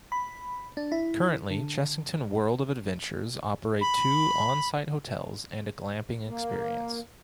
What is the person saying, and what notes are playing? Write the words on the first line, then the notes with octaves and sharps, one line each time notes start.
Currently, Chessington World of Adventures operate two on-site hotels and a Glamping experience.
B5
D4
E4
D3
B5
A#3